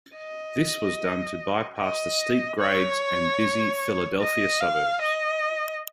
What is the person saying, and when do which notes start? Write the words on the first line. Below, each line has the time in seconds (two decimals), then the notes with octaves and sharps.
This was done to bypass the steep grades and busy Philadelphia suburbs.
0.17 D#5
1.79 D#5
2.60 C#5
4.21 D#5
4.61 F5
5.01 D#5